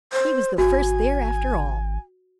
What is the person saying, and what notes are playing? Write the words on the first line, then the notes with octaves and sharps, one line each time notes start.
He was the first there after all.
C5
G#1 F#4 G#5